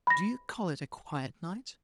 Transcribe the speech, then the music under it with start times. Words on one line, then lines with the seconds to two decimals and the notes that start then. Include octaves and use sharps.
"Do you call it a quiet night?"
0.07 B5 A#6